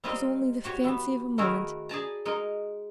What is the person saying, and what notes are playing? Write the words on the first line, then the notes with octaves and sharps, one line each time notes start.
'Twas only the fancy of a moment.
G3 C4 F4 G4 A#4 D#5
F#4 G4 C#5
E3 B3
D#3 A3 E4 F#4 G#4 A#4
G#4 D5 A5 A#5
G#3 D#4 A#4 D#5